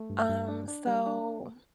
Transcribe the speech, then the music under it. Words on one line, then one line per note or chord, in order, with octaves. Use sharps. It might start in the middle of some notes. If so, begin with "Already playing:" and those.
Um, so
Already playing: A3
G2
G2
D4
D4
G3
D4